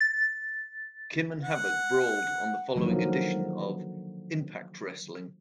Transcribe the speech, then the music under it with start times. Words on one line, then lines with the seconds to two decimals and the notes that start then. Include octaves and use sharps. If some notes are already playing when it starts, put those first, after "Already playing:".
Kim and Havok brawled on the following edition of "Impact Wrestling".
0.01 A6
1.43 F#5
2.76 D3 D#3 F3 F#3 A#3